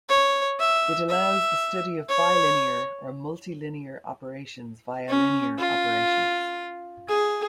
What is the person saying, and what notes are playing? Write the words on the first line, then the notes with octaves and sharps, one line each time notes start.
It allows the study of bilinear or multilinear operations via linear operations.
C#5
E5
E5
C#5
C#4
F4
G#4